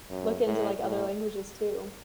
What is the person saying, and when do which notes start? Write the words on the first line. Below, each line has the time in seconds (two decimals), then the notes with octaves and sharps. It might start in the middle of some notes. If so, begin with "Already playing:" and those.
look into, like, other languages too.
0.10 F#2
0.45 A2
0.80 A2